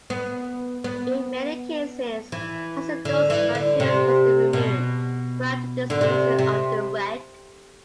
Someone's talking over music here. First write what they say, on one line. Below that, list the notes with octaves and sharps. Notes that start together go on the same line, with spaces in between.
In many cases, hazardous materials must be removed prior to disposing of the wreck.
B3
B3
E3
D3
E3
D3
C3
B2
D3
C3
C3